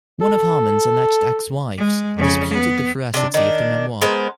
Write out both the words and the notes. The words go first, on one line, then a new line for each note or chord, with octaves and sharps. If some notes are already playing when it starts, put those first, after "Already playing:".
One of Harmon's alleged ex-wives disputed the veracity of the memoir.
A4
G#3
F2 C#3
B3
C3 D4
D#3 D4
G#3 B3 A#4 C5